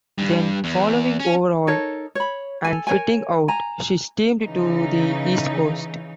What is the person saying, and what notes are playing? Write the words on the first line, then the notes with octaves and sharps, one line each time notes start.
Then, following overhaul and fitting out, she steamed to the east coast.
G2
E2
C#4
D#4 A4 A#4 C#5
C#5 B5
A4 G#5
A#4 C#5 G#5
G#5 A#5
C#3 E3 D#4